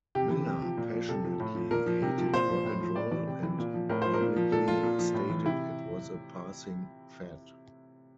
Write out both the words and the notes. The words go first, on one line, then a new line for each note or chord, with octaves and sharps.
Miller passionately hated rock and roll and publicly stated it was a passing fad.
C3 G4
E3
C3
F3
A#2
F3
C3 A4
F3
A2
F3
A#2 A#4
F3
C3
F3
A#2 C5
F3
A2
F3
A2 D5
E3 D5
C3
E3
A#2
F3
A2 A#4
F3 C5
A#4
A#2
F3
A#2 A4
F3 F4
A#2
F3
A2
E3
C3 E4